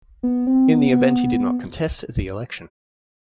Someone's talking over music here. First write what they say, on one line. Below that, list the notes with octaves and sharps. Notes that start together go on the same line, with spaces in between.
In the event he did not contest the election.
B3
C4
B3
B3